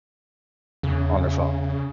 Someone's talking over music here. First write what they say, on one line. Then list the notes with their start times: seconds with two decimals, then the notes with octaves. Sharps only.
"on their phone
0.83 E2 C#3